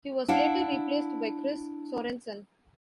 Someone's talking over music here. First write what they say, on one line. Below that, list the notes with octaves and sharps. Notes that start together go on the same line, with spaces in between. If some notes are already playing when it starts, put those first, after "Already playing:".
He was later replaced by Chris Sorenson.
D4 E4 F5 F#5